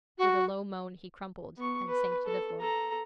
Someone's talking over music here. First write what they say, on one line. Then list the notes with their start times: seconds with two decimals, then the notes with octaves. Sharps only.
With a low moan he crumpled and sank to the floor.
0.18 F#4
1.57 B3 C#6
1.87 B4
2.25 A4
2.61 A4 A#5